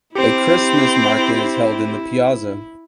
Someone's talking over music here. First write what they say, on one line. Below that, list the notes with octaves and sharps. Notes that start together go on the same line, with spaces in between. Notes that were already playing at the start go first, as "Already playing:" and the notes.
A Christmas market is held in the piazza.
C4 E4 G4 C5